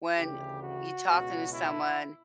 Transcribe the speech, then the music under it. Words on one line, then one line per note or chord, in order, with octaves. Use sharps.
when you talking to someone,
D2 C#3 E3 G4
F#4
C#2 B2
E4